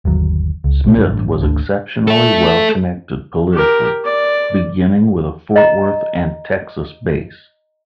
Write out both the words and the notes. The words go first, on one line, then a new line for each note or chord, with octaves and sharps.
Smith was exceptionally well-connected politically, beginning with a Fort Worth and Texas base.
G1 D#2 F#3
C#2
A#1 B2
G2 G3
A1 G2
G#1 D2 D3
A4 E5
G4 A#4
D5
D#5 A#5